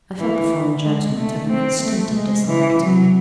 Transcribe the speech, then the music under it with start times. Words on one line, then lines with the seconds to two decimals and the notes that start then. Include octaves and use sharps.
I felt the foreign gentleman took an instinctive dislike to me.
0.19 E3
0.84 G#3
1.17 A3
1.50 C4
1.83 A3
2.15 G#3
2.47 E3
2.80 F#3